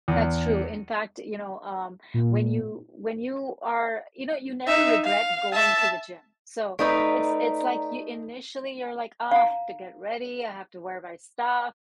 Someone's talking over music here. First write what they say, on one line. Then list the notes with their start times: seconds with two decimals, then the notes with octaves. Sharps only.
That's true, in fact, you know, um, when you when you are you know, you never regret going to the gym, so, it's it's, like, you initially you're, like, "Ugh, have to get ready, I have to wear my stuff,"
0.08 E2
2.14 A#2
4.67 D#4 E5
5.04 F5
5.53 E5 A5
6.79 A3 D#4 B4 D5 A#5
9.31 F5 A#5